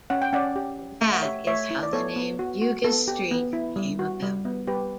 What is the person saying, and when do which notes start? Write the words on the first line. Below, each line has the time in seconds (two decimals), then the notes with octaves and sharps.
That is how the name Bugis Street came about.
0.10 C#4 F#5
0.22 G5
0.33 C#4 D5 F#5
0.56 G4
0.79 G4
1.02 A3 E5
1.12 F#5
1.22 G4 C#5 E5
1.47 A3 C#5 E5
1.70 E4
1.83 D5
1.93 B3 A4 C#5
2.16 B3
2.39 F#4
2.62 F#4
2.84 B3 A4
3.08 G4
3.31 B3
3.53 E4
3.76 G3
3.99 F#4
4.22 G3
4.45 B3
4.67 G3 G4 B4